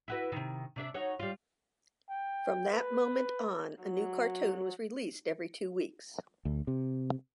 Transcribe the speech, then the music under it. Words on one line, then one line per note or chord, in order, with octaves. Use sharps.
From that moment on, a new cartoon was released every two weeks.
E4 F#4 B4
C3 D#3
C3 D4 E5
D#4 F#4 C#5
G3 F4
G5
B4
F#3
D2
C3